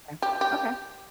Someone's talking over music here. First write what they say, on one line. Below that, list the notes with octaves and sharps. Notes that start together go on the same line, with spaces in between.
Yeah. Okay.
G4
G4